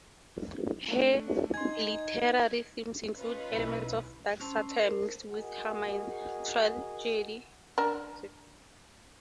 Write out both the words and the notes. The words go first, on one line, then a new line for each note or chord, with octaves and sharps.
Her literary themes include elements of dark satire mixed with humour and tragedy.
A3 D4
D#4 G#5 C6 G#6
C#4 D#4 F4 B4
B1 E4
C#4 C5 A5 C6 E6
A#4 C5
F#4 G#4 A#4 D#5 F#5
D4 A#4